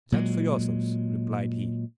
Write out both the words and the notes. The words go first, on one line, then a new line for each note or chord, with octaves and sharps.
"Judge for yourself," replied he.
A#2 F#3 G#3